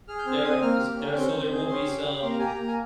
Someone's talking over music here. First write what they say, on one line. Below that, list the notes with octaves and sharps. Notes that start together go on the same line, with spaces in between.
there ish there so there will be some
G#4 F6
G6
C4 F6
C4 D#6
A#3 F6
G4
C#4
C4 G6
C4
G#4
C#4 C6
G4
G4
A#3 C6
A#5
G4 G#5
A#5
A#3
G#5